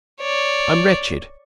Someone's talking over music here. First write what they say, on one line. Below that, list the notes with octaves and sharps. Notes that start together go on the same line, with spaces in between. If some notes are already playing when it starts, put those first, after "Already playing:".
I'm wretched.
C#5 D5